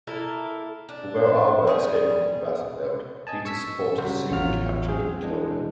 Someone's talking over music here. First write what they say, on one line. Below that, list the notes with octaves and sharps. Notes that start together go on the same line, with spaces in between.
Although Aba escaped from the battlefield, Peter's supporters soon captured and killed him.
A#3 E4 A4 A#4
D4
G3 G#4
D#5 G#5 A5
C#6 E6 B6
C#3 F#3 G3 F#4 C5
A1 E2 F#3 F4 F#4 F6
C4 G#4
E3 G#3 D4